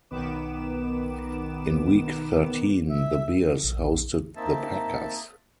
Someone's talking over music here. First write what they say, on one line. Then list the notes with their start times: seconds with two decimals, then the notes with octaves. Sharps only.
In Week Thirteen, the Bears hosted the Packers.
0.11 B1 D#3 B3 B4 D6 E7
2.89 E5
3.63 A#1
4.36 A#3 C4 D#4 E5 A5